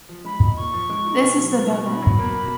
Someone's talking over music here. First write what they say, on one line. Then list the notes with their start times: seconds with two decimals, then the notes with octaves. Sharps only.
This is the donut.
0.09 F3
0.25 G#3 B5
0.41 D#4
0.57 A#2 C#6
0.74 F3
0.89 G#3
1.06 D#4
1.22 B2
1.38 F#3
1.54 A#3
1.70 B2
1.86 B2 B5
2.02 F#3
2.19 A#3
2.35 B2